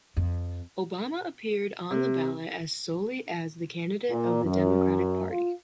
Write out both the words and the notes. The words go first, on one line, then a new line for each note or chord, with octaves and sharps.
Obama appeared on the ballot as solely as the candidate of the Democratic Party.
F2
C3
A#2
F#2
F4